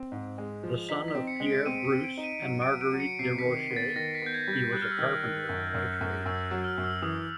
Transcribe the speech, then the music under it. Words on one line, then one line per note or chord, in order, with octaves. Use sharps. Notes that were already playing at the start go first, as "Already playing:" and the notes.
The son of Pierre Bruce and Marguerite Desrosiers, he was a carpenter by trade.
Already playing: C4
G#2
G#3
F3
D#4 B6
B6
C4
C#7
G#3
D7
C4 D#7
D7
C4
D7
D#4
D#7
F#3 D7
D7
F#3
D7
F#3
C#7
C3 C7
B6
D#3
B3
A6
D#3 A#6
B6
B3 G6
G#6
G3
G6
G3 F#6
F6
E6
D#3 F6
D#3
F#2
F#2
F#2
F#2 E6
F#3
F6
F#2
E6
E3 D#6